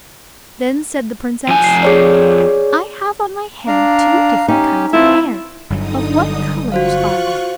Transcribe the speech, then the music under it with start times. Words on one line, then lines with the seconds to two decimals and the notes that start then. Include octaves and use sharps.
Then said the Princess, 'I have on my head two different kinds of hair. Of what colours are they?'
1.48 F2 G#5
1.64 C7
1.83 G#4 C#5 D5
3.68 D4 F5 A#5
4.48 C#4 D#4 G4
4.93 E3 A3 C4 E4 F4
5.70 G1 G2 D3 F#3 D#4 D#6
6.72 F4 F#4 C5 F5 C#6 F#6